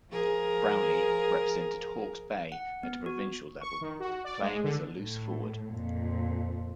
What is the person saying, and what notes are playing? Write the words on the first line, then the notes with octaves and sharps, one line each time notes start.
Brownlie represented Hawkes Bay at a provincial level, playing as a loose forward.
F3 G#4 A#4
F#5
B3
F#4
C#6
D#3
F#4
D5
G#3
D3
A2
F2 A#2